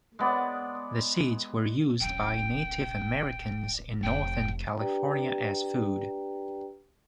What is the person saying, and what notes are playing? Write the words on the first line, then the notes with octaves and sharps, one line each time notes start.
The seeds were used by Native Americans in Northern California as food.
G#3 B3 D5
D1 A1 G5
F1 G5
D4 G4 B4 D5 G5 A#5